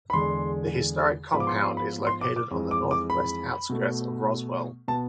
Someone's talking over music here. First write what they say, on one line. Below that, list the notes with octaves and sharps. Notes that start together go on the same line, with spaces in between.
The historic compound is located on the northwest outskirts of Roswell.
B5
E2 D3 G#3 C6
G#2 F3 B3 B5
D6
C6
C6
B5
C6
D6
D6
F2 E3 G#3
D6
D6
B5
B2 A3
B2 B3 A5